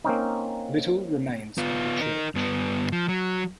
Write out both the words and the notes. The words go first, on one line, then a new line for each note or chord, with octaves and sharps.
Little remains of the church.
A#3 C4 C#4 D#4
B3 F4
D#4 A#4
G2 B3
F3
F#3